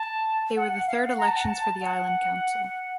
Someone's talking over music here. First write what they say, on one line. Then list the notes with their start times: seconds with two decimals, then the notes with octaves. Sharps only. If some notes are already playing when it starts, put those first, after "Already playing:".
They were the third elections for the Island Council.
Already playing: A5
0.57 F#5
0.72 F#5
0.87 F5
1.03 F#5
1.18 A#5
1.27 A5
1.36 F#5
1.45 A5
1.81 F#5